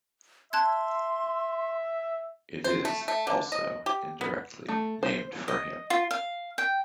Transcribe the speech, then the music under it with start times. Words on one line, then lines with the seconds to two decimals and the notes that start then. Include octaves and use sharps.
It is also, indirectly, named for him.
0.53 E5 A5 C6 F#6 G#6
2.64 C5
2.85 A3
3.08 A3
3.27 D3
3.52 D#5
3.86 G4
4.21 B3
4.68 A3
5.03 C5
5.48 D#5
5.90 F4
6.11 F5
6.58 G5